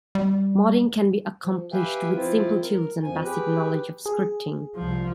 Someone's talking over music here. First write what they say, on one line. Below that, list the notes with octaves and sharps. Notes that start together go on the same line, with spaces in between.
Modding can be accomplished with simple tools and basic knowledge of scripting.
G3
F3
G4 B4 E5 F5 G5 G#5
F3 C4 E4 F4
A#4
F2 F3 G#5
G4 G#4 B4
G#4
C2 F3